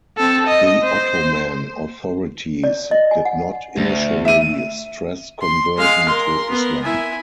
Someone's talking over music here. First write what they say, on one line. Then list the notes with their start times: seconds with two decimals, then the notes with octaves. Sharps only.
The Ottoman authorities did not initially stress conversion to Islam.
0.18 C4 A4
0.47 D#5
0.83 C5
2.64 D5
2.91 D#5
3.11 G#5
3.25 F#5
3.77 D2
4.25 E5 D#7
5.41 C6
5.77 G#3 F5
6.08 A#4 C6
6.50 B3 A#4
6.83 E4 G#5